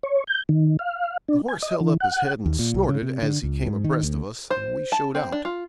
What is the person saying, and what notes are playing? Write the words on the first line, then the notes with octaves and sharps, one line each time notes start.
The horse held up his head and snorted as he came abreast of us, and we showed out.
C#5
G6
D#3
F5
D4
G#5
D#5
E3
F#5
D#2
A#2
C2
C#3
C3
D3
C#2
G#2
D#3
D2
C5
A5
C4
D4
F4